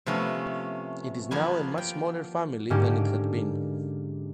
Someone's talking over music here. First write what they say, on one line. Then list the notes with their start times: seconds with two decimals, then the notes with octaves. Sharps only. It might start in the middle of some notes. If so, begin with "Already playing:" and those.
It is now a much smaller family than it had been.
0.06 C3 F3 A3 B3 C#4
1.31 F3 A#3 B3 G#5
1.78 G5
2.70 G#2 D3 A#3 C#4 G4